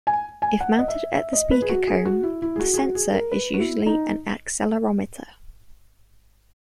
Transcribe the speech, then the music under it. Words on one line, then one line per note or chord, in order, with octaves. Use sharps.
If mounted at the speaker cone, the sensor is usually an accelerometer.
G#5
G#5
F#5
D#5
E5
E5
D#5
B4
G#4
F#4
G#4
F#4
E4
E4
G#4
F#4
G#4
F#4
G#4
A#4
B4
F#4
E4
D#4